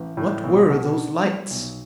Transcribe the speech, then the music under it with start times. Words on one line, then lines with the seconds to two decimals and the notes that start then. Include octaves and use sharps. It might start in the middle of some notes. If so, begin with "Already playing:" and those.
What were those lights?
Already playing: A1
0.17 A2
0.43 B1
0.70 B2
0.97 D4
1.24 G3
1.50 B1